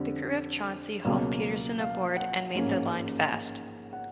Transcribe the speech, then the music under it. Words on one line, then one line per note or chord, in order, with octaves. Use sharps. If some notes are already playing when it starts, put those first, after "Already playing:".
The crew of "Chauncey" hauled Peterson aboard and made the line fast.
Already playing: F2 D3 G3
C#2 B2 F#3 A#3
F5
F#5
A1 G#2 F3 A#3 C#4
F#5